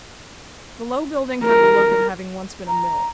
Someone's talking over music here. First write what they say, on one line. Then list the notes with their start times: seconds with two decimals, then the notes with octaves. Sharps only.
The low building had the look of having once been a mill.
1.44 A#4
2.68 A#5